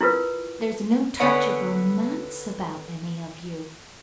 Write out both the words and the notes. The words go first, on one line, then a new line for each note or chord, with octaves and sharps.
There's no touch of romance about any of you.
E4 F4 A#4 B4
D3 B3 B4 C#5 F#5 G#5